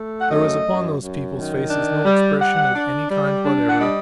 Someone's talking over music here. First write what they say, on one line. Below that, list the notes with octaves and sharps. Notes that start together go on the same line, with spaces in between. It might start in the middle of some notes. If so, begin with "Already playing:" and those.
There was upon those people's faces no expression of any kind whatever.
Already playing: A3
F#5
F#2 D#5
F#2
F#2
D#3
D4
G3
G3 F#5
D4
G3
D4
F#5
G3 D#5